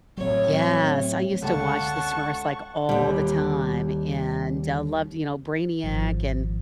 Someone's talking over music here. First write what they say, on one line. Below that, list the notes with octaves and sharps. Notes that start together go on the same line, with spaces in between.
Yes, I used to watch The Smurfs, like, all the time, and I loved, you know, Brainiac and
A2 F#3 C4 C#5
C#2 D3 F#5 A5 C#6
D#2 G3
G#1 F3